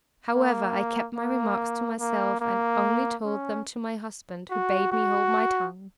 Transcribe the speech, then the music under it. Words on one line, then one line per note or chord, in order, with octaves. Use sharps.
However, I kept my remarks to myself, and only told them to my husband, who bade me hold my tongue.
A#3
A#3
A#3
A#3
C#4
F#4
F#4